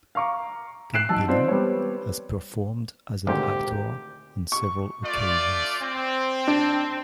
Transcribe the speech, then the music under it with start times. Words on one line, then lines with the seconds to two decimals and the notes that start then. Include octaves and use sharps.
Campino has performed as an actor on several occasions.
0.15 F5 A#5 C#6 D6
0.94 F#6 C7 D7 E7
1.09 F#3 D#4 A5 E6
1.28 C4 D#4 F4 C5 D5
1.48 G3 B3 C#5
3.27 G#1 D2 A#2 G4
4.52 C#6
5.04 A3 F4 D5
5.82 C4
6.47 D4